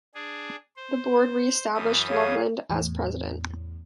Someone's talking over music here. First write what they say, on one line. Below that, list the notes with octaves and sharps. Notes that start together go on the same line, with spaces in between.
The board re-established Loveland as president.
D4 G#4
C5
F#2 E3 D#6
G#4 C#5 F5
E2 A2